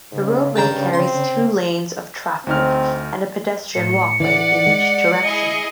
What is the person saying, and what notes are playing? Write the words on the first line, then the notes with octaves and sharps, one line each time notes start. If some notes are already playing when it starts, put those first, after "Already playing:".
The roadway carries two lanes of traffic and a pedestrian walkway in each direction.
G#2 C#3
G2 A#4 G5 A5
C4 C6
D2 C4 D#4 F6
A2 C#7
E3 D5 F#5
G#3
E4 G#4 D#5